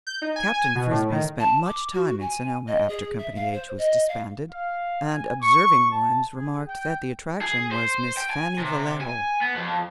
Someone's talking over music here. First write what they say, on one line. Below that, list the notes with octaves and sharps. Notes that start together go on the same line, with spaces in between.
Captain Frisbie spent much time in Sonoma after Company H was disbanded, and observing ones remarked that the attraction was Miss Fannie Vallejo.
G6
D#4
G#5
G#5
B2
A2
D#3
A5
D6
F#4
G#5
D#5
G#4
E5
F5
C5
D#5
F5
F5
G#5
C#6
A5
G#4
G5
G#4
C5
G5
G#5
C3
G#5
B3
F2